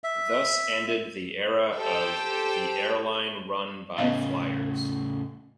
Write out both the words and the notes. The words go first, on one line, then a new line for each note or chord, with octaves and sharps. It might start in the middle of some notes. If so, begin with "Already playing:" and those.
Thus ended the era of "The Airline Run by Flyers".
E5
G4 A4 C5 G5
A2 C#3 B3 D#5 F5